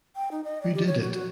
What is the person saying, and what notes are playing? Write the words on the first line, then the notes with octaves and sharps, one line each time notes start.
Who Did It?
G5
D#4
D#5
D5
G4
C#5
F#4
F#4